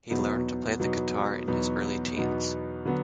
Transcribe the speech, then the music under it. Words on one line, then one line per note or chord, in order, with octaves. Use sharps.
He learned to play the guitar in his early teens.
E2 B2 F#3 B3 D#4
E2 B2 F#3 B3 D#4
E2 B2 F#3 B3 D#4
E2 B2 F#3 B3 D#4
D3 F#3 B3